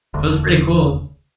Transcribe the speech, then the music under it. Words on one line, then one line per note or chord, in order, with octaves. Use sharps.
It was pretty cool.
E1 D2 D3